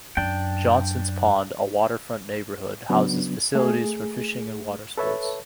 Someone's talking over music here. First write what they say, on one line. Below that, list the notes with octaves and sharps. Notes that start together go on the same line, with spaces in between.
Johnson's Pond, a waterfront neighborhood, houses facilities for fishing and watersports.
F#2 D4 G5
C#3 F#3 B3 D4
A3 G#4
A4 B4 C#5 E5 A5